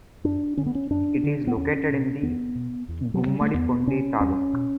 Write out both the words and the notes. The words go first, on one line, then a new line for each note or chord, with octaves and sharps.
It is located in the Gummidipoondi taluk.
F#2 D4
D3 C#4
B3
C#4
F#2 D4
D3
B3
E2 C#4
B2
E2 B3
B2
E2
F#3
C#3
G3
A3
E2 B3
C#3 C#4
E2 C#4
B2